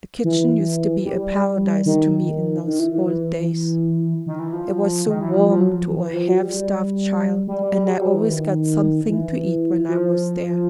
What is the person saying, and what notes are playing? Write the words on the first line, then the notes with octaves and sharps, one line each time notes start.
The kitchen used to be a paradise to me in those old days; it was so warm to a half-starved child--and I always got something to eat when I was there.
E3
G3
D#3
D#3
E3
E3
E3
D#3
E3
F3
D#3
E3
F3
F3
F#3
F3
E3
E3
F3
F#3
G3
G3
G3
G3
G3
G3
F#3
E3
D#3
E3
F3